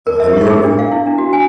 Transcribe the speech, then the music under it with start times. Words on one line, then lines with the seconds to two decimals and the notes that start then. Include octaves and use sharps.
Uh, have you heard of him?
0.07 A#4
0.20 E5
0.33 G4
0.50 G#4
0.64 D4
0.79 F5
0.92 E4
1.06 D4
1.18 F#4
1.33 G#5